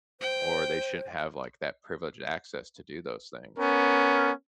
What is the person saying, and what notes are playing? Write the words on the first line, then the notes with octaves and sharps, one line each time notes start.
or they shouldn't have like that privileged access to do those things.
C5 G5
B3 C#4 A#4